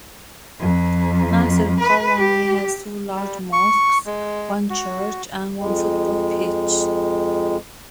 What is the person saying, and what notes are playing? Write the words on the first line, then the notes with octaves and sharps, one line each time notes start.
Nasir Colony has two large mosques, one church, and one football pitch.
F2
B4
G4
G3
C#6
G#3
F#4
F2 G#3